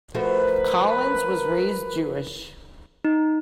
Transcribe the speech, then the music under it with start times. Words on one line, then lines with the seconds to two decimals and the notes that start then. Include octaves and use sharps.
Collins was raised Jewish.
0.14 F3 A3 F#4 A#4 B4
3.05 D#4